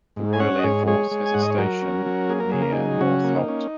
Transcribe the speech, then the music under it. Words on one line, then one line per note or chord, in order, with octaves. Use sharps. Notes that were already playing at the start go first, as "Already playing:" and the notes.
The Royal Air Force has a station near Northolt.
G#2
G#5
C#4 C#5 F#5
D#5
G#2 G#4 C#5
G#3 G#4 C#5
G#3
G#5
G#2 F#5
D#5
C#5
F#3 F#4 A#4
C#4
F#3
A#3 G#4
A#4
C#3 G#4
A#4
F#3 D#4 G#4
C#3 C#4 F#4
A#3
D#4
C#4